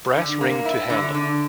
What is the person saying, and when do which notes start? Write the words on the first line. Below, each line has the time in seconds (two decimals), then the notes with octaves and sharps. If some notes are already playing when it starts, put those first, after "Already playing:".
Brass ring to handle.
0.16 D3
0.41 A#3
0.65 E4
0.90 D3
1.14 D3